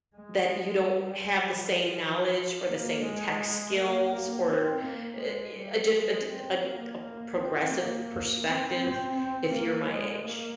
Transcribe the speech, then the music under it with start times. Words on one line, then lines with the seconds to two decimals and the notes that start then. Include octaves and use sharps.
that you don't have the same knowledge or the same tech skills or, eh ye a diff a di a d a progressive perspective if you're my age.
0.16 G#3
0.88 G3
1.59 F3
2.67 A#3
3.03 G#3
3.75 A#3
4.12 A#3
4.47 C4
4.84 A#3
5.19 G#3
5.55 G3
5.92 G#3
6.27 C4
6.64 A#3
7.00 A#3
7.36 C4
7.72 A#3
8.44 C4
8.79 C4
9.16 C4
9.52 A#3
9.88 G#3
10.24 A#3